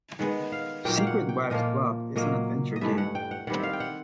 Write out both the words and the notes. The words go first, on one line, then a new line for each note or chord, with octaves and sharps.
Secret Wives' Club is an adventure game.
D#3 G#3 B3 F#5
F5
A#2 F#3 A#3 D#4 G5
F5
F#5
G5
A#2 F3 A#3 D#5
A#2 F#3 A#3 D#5
D#5
G2 E3 A3 E5
F#5
G5
F#5
D#3 G3 C4 F#5
E5 F5
G5
F#5